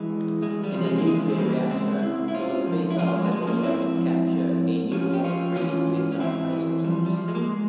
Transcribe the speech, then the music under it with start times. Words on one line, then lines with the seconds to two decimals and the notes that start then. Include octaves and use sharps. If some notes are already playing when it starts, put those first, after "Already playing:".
In a nuclear reactor non-fissile isotopes capture a neutron breeding fissile isotopes.
Already playing: E3 G#3
0.10 E2
0.42 E2 G#3
0.64 G3
0.73 F3
0.84 G#3
0.98 A#3
1.06 E2 G#3
1.30 C4
1.38 C#3 G3 A#3
1.70 G#2 G#3 C4
1.98 C#4
2.03 G#2 C4 E4
2.28 E4
2.34 G#2 C#4 F4
2.67 F3
2.90 E4
2.98 F3 C#4 F4
3.15 G#3
3.25 A#3
3.32 F3 G#3
3.47 A#3 C#4
3.63 G#2 C4 E4
3.95 F3
4.27 F3
4.60 G#2
4.92 F3 C#4 F4
5.14 G4
5.24 F3 C#4 F4
5.56 E3 C#4 F4
5.88 G#2
6.12 C#4
6.20 E3 C4 E4
6.53 E3
6.84 F3 G3
7.06 G3
7.16 F3
7.28 G#3
7.35 A#3
7.42 G#3